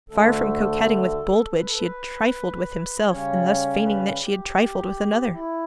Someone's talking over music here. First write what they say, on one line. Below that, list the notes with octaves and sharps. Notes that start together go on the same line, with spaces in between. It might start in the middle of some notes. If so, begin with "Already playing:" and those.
Far from coquetting with Boldwood, she had trifled with himself in thus feigning that she had trifled with another.
D2 D3 A3 A4
B4
A4
B4
C#3 G3 C#4 C#5
B4
G4
G4
E4